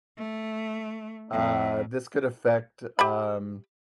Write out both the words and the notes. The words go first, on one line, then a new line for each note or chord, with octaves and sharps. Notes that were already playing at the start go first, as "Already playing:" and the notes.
uh, "This could affect, um
A3
F2
G4 E5 B5